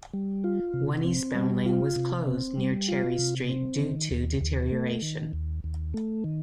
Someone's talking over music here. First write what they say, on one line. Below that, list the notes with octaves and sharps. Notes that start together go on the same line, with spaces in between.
One eastbound lane was closed near Cherry Street due to deterioration.
G3
F4
C3
C4
G3
F4
C3
C4
G3
F4
C3
C4
D#3
D#2
D#2
A3
D#3
D#2
D#2
A3
D#3